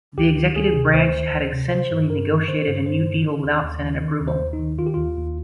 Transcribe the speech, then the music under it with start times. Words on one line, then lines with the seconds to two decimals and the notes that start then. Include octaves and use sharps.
The executive branch had essentially negotiated a new deal without Senate approval.
0.17 D2 G4
0.37 D#3
0.56 D2 G#4
0.74 C3
0.94 D2 C5
1.14 D#3
1.33 D2
1.52 C3
1.71 D3 C5
1.91 G2
2.09 G2 A#4
2.28 D3
2.48 D3 C5
2.67 G2
2.86 G2 C5
3.05 D3
3.25 D#3
3.44 D#2
3.62 D#2
3.82 D#3
4.01 D#3
4.21 D#2
4.28 C5
4.39 D#2
4.53 D#4
4.59 D#3
4.78 D#3 F4
4.86 G4
4.94 D#2 F4
5.17 D#2